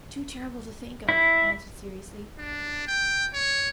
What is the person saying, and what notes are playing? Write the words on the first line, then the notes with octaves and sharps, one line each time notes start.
"Too terrible to think of," I answered seriously.
E4
D4
G5
C#5